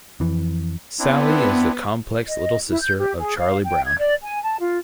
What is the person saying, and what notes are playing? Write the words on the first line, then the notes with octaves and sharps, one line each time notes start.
Sally is the complex little sister of Charlie Brown.
F2 E3
B3 C4 D4 E4
D#5
E4
G6
G4
G#4
F5
G5
G#6
D5
G#5
A5
F4